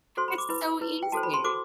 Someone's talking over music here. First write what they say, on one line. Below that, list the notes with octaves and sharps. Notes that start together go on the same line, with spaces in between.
it's so easy.
F#4 A4 C5 C6
B5
D6
E4 B4 B5
E4 B4
G5
F#4 A4 C5 A5
B5
C6
F#4 A4 C5 D6